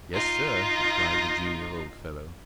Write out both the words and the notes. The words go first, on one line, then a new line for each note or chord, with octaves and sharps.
"Yes, sir," replied the genial old fellow.
D#4 F4